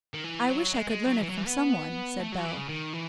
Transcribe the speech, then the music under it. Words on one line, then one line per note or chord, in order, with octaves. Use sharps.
"I wish I could learn it from some one," said Bell.
D#3
E3
F#3
G#3
G#3
F#3
E3
F#3
E3
B3
A3
F#3
E3
C#3
D#3
E3